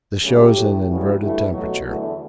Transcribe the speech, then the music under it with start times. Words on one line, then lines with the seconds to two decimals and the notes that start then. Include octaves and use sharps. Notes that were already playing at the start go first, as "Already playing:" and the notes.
This shows an inverted temperature.
0.22 D2 C#3 F#3 A3 G4
0.55 A2 F#3 A3
0.87 D2 C#3 E3 G3 F#4
1.20 G2 E3 A3 E4
1.52 B2 F#3 A3 F#4
1.85 E2 D3 A3